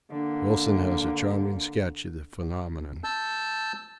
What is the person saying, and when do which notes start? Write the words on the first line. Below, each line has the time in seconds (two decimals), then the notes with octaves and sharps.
Wilson has a charming sketch of the phenomenon.
0.11 D3 A#3
3.04 A5 E6 G6